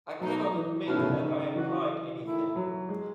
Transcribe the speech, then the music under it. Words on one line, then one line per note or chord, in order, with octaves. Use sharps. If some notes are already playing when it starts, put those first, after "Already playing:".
I cannot admit that I implied anything.
B2 F#3 A3 D#4
E3
B2 D#3 A3 C#4 E4
C#3
C#3
D#3
E3 F#3 C#4 F#4
D#3 A3 E4
F#3
G#3